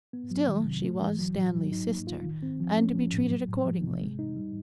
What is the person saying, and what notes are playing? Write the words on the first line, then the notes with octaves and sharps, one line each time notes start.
Still she was Stanley's sister, and to be treated accordingly.
B3
F#3
D#3
C3
A3
E3
F#3
A#2
F#3
D#4
A#3
F4
D#3
C4
F3
C#4
F3
A2
F#3
A2
F3
C3
G#3
D#4
G3